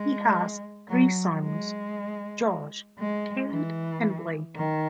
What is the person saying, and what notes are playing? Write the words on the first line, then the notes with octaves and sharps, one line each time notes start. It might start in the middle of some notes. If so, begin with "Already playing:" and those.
He has three sons: Josh, Cade and Blake.
Already playing: G#3
F#3
G#3
G#3
E3
D#3